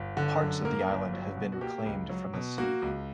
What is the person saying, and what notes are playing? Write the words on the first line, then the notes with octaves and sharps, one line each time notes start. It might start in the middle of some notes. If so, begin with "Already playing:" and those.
Parts of the island have been reclaimed from the sea.
Already playing: G1
D3
F#2
A#3 A#4
G1
F#3
B2
F#4
A#3 G4
C#2
F#3
B2
A#3 F#4
C#2